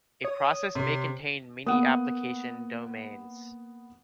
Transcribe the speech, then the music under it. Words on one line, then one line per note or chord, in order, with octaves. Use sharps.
A process may contain many application domains.
C#5 D#6
C3 C6
A#3 B3 F#5 D#6